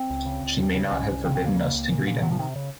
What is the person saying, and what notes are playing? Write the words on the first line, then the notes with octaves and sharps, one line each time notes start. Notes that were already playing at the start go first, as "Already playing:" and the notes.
She may not have forbidden us to greet him!
Already playing: C4
C#2
C#3
C#2
D#2
C#3
C2 C#4
C2
C#3 C4
C4
D#2
A#3
C#3
C#2
A#2
A#2
C3 F#3
F3
C3 D#3
C#3